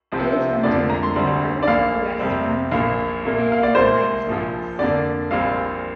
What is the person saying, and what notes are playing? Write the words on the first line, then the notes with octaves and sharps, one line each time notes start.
It is home to many bars, restaurants, and night spots.
C2 C3 F3 C4
F2 D3 F3 A#3 D5
A#5
C6
D2 D3 G3 C4
D5
A#1 A#2 A#3 F5
F2 C3 G3 C4
A#1 A#2 A#3 F5
C2 A#2 A#3
F5
D5
C2 A#2 A#3 C5
A#1 A#2 F3
F2 D3 A#3 D5
A#1 A#2 G3 C4 F5